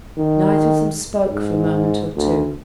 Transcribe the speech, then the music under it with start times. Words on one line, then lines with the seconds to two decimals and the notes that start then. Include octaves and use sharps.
Neither of them spoke for a moment or two.
0.17 D#3
1.31 G#2
2.16 D2